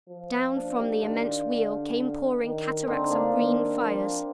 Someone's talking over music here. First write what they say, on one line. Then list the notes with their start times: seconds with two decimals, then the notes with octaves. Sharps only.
Down from the immense wheel came pouring cataracts of green fires.
0.09 F3
0.56 D4 F4
0.78 D#4 G4
1.02 D#3 D4 F4
1.48 D3
2.41 D#3
2.87 D3 C4 D#4
3.10 A#3 D4
3.33 D#3
3.80 F3